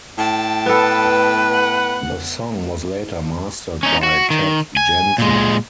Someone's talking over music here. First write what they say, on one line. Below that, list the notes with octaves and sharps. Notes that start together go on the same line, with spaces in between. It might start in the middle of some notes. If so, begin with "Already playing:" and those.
The song was later mastered by Ted Jensen.
A2 G5 A5
B3 A4 B4
F#5
C#4 D#4
F#4
D#3
G#5
A#2 G#3